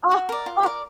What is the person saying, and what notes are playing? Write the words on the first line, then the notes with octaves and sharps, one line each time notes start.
Oh, huh.
F#4
A#4 D5
F4
A#4 D5